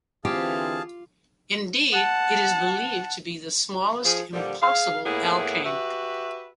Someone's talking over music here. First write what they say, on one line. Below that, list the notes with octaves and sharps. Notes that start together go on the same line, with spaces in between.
Indeed, it is believed to be the smallest "impossible" alkane.
D3 E3 C4 F4 G4 G#4 F5 A5
F#5 A5
F3 G#4
A#2 D3 F3 G3
G#4 F5
A2 A#3 B3 E4 G#4
F#4 G4 B4 E5